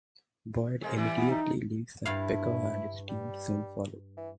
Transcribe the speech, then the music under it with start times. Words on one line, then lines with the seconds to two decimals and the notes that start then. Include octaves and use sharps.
Boyd immediately leaves and Picker and his team soon follow.
0.82 C3 G#3 A#3
0.96 E3 G3
1.17 B3
1.30 D#4
2.06 G2 E4 F5
3.09 G3
4.17 E3